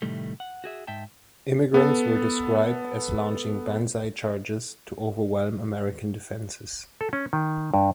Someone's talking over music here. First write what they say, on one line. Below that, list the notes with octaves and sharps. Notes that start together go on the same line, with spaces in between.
Immigrants were described as launching "banzai charges" to overwhelm American defenses.
A2 C3 D#3 G3 A3
F#5
F#4 G#4 E5
G#2 E5 G5 A5
B3 A4
A4
C#4
D#3
G2